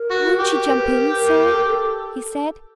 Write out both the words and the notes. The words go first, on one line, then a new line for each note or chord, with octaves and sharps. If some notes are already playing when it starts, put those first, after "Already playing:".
"Won't you jump in, sir?" he said.
Already playing: A#4
F#4
G4
A#4
B4
A#4
A#4
A4
A#4
A4